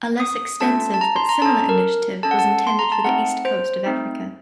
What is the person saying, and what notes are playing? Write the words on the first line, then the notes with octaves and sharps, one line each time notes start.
A less extensive but similar initiative was intended for the east coast of Africa.
D#6
A3 C#4 F4 A4 A5
A5
A#5
C6
A#5
C#4 A4 A5
A#4
C#4 A4 A5
F#5
A5
C6
A#5
A5
A3 C4 D#4 F#5
C5
A3 C4 D#4